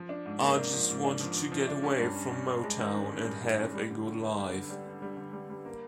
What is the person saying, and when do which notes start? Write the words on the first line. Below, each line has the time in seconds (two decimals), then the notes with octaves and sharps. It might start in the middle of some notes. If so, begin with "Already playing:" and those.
I just wanted to get away from Motown and have a good life.
Already playing: F3
0.09 D4
0.26 G#2
0.41 A#3
0.58 D4
0.73 F3
0.89 G#2
1.05 D4
1.20 F3
1.37 F3
1.52 F3
1.68 D4
1.83 C#4
2.00 G2
2.16 C#4
2.32 C#4
2.48 C#4
2.63 G#3
2.79 D#3
2.95 C#4
3.11 C#4
3.27 G2
3.43 D#3
3.59 C#4
3.74 G3
3.90 D3
4.07 D3
4.22 B3
4.38 G3
4.54 D3
4.70 G3
4.86 B3
5.02 G3
5.17 D3
5.33 G3
5.50 G3
5.65 A#3